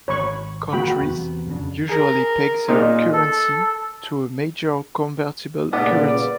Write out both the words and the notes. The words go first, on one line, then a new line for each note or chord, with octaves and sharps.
Countries usually peg their currency to a major convertible currency.
G#1 C#5 B5 C#6
D#3 G#3 A#3 F#4 G5 B5
E2 C3 B3
F2 C#3 D4
G#4 A#4
A#2 D#4 G#4
A4
A#2 C#3 G3 B3 B4 D5